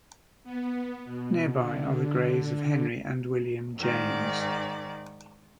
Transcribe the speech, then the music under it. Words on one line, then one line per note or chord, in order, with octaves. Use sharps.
Nearby are the graves of Henry and William James.
B3
B2
D3
G#2 D#3 D5